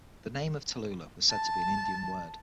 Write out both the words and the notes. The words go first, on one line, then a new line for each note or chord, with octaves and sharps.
The name of "Tallula" was said to be an Indian word.
A5